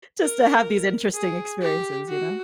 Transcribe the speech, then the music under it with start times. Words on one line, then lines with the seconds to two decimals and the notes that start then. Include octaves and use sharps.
just to have these interesting experiences, you know?
0.20 A#4
1.14 G#4
1.61 G4
2.09 F#4